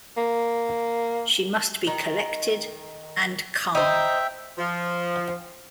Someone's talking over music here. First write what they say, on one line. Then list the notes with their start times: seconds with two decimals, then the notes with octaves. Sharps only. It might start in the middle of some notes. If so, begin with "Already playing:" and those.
She must be collected and calm.
0.17 A#3
1.87 D#3
3.75 D#4 C5 E5 G5
4.58 F3